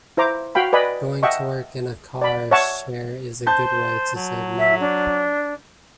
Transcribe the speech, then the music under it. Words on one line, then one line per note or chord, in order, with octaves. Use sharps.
Going to work in a car share is a good way to save money.
E4 C5 A#5 D6
F#4 F5 G5 B5
B4 D5 D#5 G#5 B5
D#5 E5 F#5 G5 A5 C#6
D5 B5
C#5 E5 F#5 A5 C#6
C5 A5 G6
F#3
E5
D4